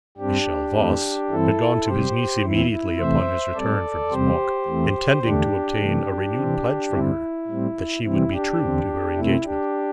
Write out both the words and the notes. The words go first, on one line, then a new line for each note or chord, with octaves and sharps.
Michel Voss had gone to his niece immediately upon his return from his walk, intending to obtain a renewed pledge from her that she would be true to her engagement.
G2 G3 C4 D4 G4
E2 E3 A3 C4
G2 E3 C4 E4 A4
C3 G3 C4 G4 C5
E2 E3 C4 E4
E4
E2 C3 E3 A3 C4 C5 E5
A2 G3 C4 A4 D5
E2 C3 G3 C4 G4 C5
E2 E3 A3 C4
E2 D3 A3 D4 G4
C3 E3 A3
C3 E3 C4
G2 D3 G3 C4 E4
A2 G3 C4
C3 E3 G3 C4 E4
D4 G4
E2 D3 C4
C3 A3 C4 E4
D4 G4